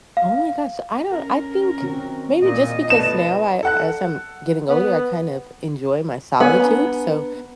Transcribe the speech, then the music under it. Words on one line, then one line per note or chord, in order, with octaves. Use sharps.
Oh, my gosh, I don't, I think maybe just because now I, as I'm getting older, I kind of enjoy my solitude, so,
F5
C#4 A#4
D#3 C4 F#4
A#2 F4 D#5
B2 A3 D#4 B4 D5 A5 E7
A4 F#5 F#6
B3
B3 C#5 G#5
D4 A#5